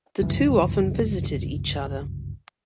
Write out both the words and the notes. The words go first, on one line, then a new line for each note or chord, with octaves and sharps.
The two often visited each other.
G1 C#2 F#2 E3